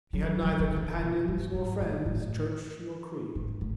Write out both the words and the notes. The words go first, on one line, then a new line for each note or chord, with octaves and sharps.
He had neither companions nor friends, church nor creed.
F#3
E3
F#3
E3
D3
C#3
B2
G#2
G#2
A2
A2
G#2
A2